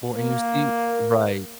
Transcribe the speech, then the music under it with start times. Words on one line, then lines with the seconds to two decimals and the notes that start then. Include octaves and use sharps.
Well, and you see right.
0.16 A#3